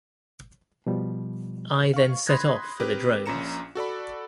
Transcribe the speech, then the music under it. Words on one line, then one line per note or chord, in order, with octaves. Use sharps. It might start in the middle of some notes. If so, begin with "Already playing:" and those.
I then set off for the Drones.
B2 F3 G3
F5 C#6
B5 C6 D#6 F#6 G#6 A#6
C4 G4 A#4 B4
A#1 A#2 C#4 A#5 C#7 E7
F#4 A4 D5 B5